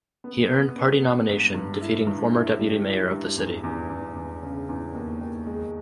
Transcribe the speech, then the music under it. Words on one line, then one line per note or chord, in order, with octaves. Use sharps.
He earned party nomination defeating former deputy mayor of the city.
B3
B3
B3
B3
G2
G2
E4
G2
E4
G3
E4
G2
E2
E2
E2
E2
C#3
E2
D#2
D#2
G#3